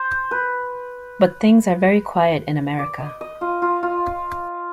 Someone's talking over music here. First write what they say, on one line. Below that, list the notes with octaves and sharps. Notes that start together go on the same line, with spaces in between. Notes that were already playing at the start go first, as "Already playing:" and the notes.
But things are very quiet in America.
Already playing: C5
B4
D5
D#5
D#5
F4
F4
F4